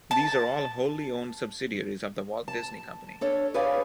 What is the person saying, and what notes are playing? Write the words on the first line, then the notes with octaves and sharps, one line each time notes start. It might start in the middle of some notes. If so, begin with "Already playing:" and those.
These are all wholly owned subsidiaries of The Walt Disney Company.
A5
A5
D4 A4 C#5
G#4 B4 C#5 D5 F5 G#5